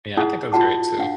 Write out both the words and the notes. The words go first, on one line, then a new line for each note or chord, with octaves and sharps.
Yeah, I think that's great too,
D#4 E4 G#4 F#5 D#6
D#4 F4 F#4 F#5 A5 D6
D4 F5 F#5